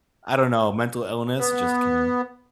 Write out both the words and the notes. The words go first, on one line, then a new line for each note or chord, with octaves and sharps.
I don't know. Mental illness? Just kidding.
B3